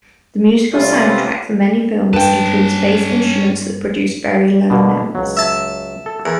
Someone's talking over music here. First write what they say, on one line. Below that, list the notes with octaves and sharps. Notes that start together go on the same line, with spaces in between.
The musical soundtrack for many films includes bass instruments that produce very low notes.
C3 G3 A3 A#3 C#4 F4 D#6
C4 G4 B4
G2 C#4 B4 G5 A5
B2 D3 A#3
C#2 F#3
E5 A5
A4
E2 A#4